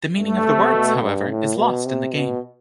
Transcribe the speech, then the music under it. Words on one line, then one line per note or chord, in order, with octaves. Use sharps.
The meaning of the words, however, is lost in the game.
G2 A3
C3
B2
G2
A2
B2
C3
B2